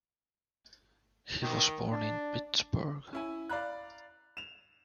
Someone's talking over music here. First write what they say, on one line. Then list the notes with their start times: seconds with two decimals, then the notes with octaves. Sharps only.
He was born in Pittsburgh.
1.43 D#3
1.91 D4
3.13 C#4 E4 G#5
3.49 D5 F5 A#5 B5 F#6
4.37 E7 F7